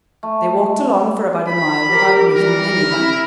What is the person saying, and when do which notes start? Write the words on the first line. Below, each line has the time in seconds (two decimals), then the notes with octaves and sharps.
They walked along for about a mile without meeting anyone.
0.23 A3
1.47 B5
1.90 G4 A#4
2.35 E3 G3 A#4
2.87 E4